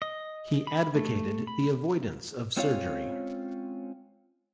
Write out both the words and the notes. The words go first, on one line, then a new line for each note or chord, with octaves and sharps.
He advocated the avoidance of surgery.
D#5
B5
A3
B5
G#3 C4 C#4 F4 C#5 F5